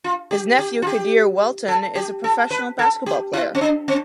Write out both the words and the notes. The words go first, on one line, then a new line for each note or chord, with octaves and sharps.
His nephew, Quadir Welton, is a professional basketball player.
F4
G4
G4
F4
G4
A4
G4
A4
B4
A4
G4
E4
C4
D4
C4